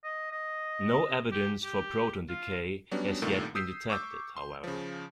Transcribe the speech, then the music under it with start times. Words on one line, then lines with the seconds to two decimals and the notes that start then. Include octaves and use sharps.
No evidence for proton decay has yet been detected, however.
0.04 D#5
0.32 D#5
1.32 G4
1.64 G4
2.29 F4
2.91 F#3 G3 B3 C#4 D4
3.22 C2 G2 A#2 D#3 A3
3.55 D#6 E6 G6 B6 C7
3.90 C#6 D6 E6 G6
4.37 C6
4.64 C#3 F3